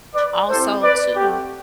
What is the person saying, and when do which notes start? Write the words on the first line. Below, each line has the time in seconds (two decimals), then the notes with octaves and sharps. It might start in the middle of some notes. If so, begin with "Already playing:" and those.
also too
0.14 B4 D5
0.49 C4 E4 G4 A4 C5
0.82 B4 D5
1.17 A3 C4 F#4 G4